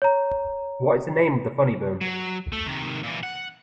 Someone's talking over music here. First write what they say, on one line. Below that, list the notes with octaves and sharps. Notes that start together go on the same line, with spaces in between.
What is the name of the funny bone?
C#5 A#5
F#3
A3
C3 D#3
A#2 E3
F#5